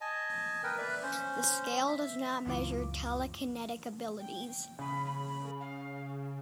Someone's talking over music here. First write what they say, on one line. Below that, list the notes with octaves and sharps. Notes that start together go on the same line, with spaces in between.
The scale does not measure telekinetic abilities.
D#5 G#5 A5
A#4 B4 G5
B4 D5 E5
C#4 C5
E5
C#2 F#2 E3 F4 D6
G5
C#3 B5
B5
F5